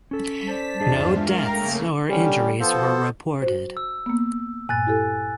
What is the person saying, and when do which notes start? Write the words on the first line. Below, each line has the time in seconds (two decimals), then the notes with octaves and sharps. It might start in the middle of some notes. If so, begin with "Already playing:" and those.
No deaths or injuries were reported.
0.11 C#4 A4 B6
0.48 C5 D5 A5
0.80 E2 G2 D4 F4 G#4 D#5
1.16 G#3 D4 A#4 E5 F5
1.47 C#3 A3 A#3 G5 A#5
2.09 D3 G3 C#4
2.60 F3 B3 A4 C5
3.42 F#4 C5
3.77 E6
4.06 A#3 B3
4.69 G2 A#2 G#5 F#6 A6
4.87 E4 G4 A4